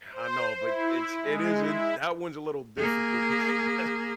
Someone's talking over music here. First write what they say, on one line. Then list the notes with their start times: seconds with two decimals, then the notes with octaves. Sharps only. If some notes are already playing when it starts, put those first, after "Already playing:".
I know, but it's it isn't, that one's a little difficult because
0.13 C5
0.60 E4
1.22 G#3
1.60 E4
2.78 A#3 G#4